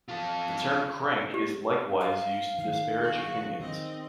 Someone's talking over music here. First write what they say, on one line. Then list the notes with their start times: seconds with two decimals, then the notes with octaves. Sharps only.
The term crank is likewise used to disparage opinions.
0.09 F4 A4
1.34 G4
2.01 F5
2.59 D#3 F5
3.00 F#4 G#4 C#6
3.60 D#3 C4 D#5